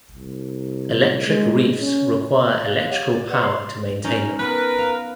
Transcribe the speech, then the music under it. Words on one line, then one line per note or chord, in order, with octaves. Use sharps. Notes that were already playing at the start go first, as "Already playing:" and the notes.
Electric reefs require electrical power to maintain them.
C2
G#3
C#4
F5 F#6
G4 C#5 F#5
D5
B4 D5 D#5 F#5
C6 E6 C7
C#4 D#4 A#4
B3 A#4 B4
F5